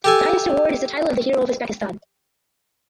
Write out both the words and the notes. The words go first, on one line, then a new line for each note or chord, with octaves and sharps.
The highest award is the title of the Hero of Uzbekistan.
G4 A4 G#5